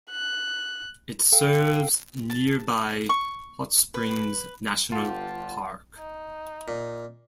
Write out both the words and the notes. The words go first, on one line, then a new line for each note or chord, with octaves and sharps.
It serves nearby Hot Springs National Park.
F#6
A4 F5 G5
A5
C#6
B4
G1 G2 F4 G4 F#5 A5
D#4
A#2